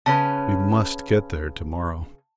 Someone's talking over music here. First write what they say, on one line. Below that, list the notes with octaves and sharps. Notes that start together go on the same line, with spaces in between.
We must get there to-morrow.
C#3 C#4 B4 A5